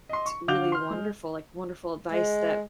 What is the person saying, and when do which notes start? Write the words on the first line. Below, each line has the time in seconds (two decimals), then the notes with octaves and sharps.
really wonderful, like, wonderful advice that,
0.09 D#5 C6
0.26 C#6
0.48 D3 F#4 F5 D6 G6 F7
0.72 C6 F6
0.91 G#3
2.11 G#3